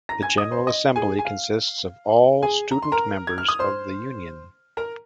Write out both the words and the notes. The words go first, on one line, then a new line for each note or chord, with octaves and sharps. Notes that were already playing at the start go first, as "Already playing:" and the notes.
The General Assembly consists of all student-members of the Union.
A#5 A#6
G#5 G#6
D#5 D#6
C5 C6
D#5
G#4 G#5
G#5
F5
G#4 G#5
A#5
C6
A#4 A#5
G#6
F6
D#6
C5 C6
A#4 A#5